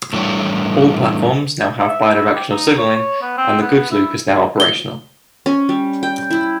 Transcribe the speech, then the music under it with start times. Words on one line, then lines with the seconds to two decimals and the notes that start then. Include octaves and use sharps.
All platforms now have bi-directional signalling, and the goods loop is now operational.
0.13 A2 D3 E3 G3 C#5
1.87 E5
2.04 D#4
2.16 E4
2.35 G4
2.51 D#4
2.78 C#5
2.96 C#5
3.22 B3
3.38 C4
3.61 B3
3.91 E4
4.60 G7
5.46 C#4
5.69 G3
6.03 G5
6.30 E4